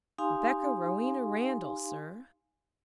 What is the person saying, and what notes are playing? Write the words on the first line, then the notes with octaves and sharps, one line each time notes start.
"Rebecca Rowena Randall, sir."
D#4 G4 F5 G#5 C6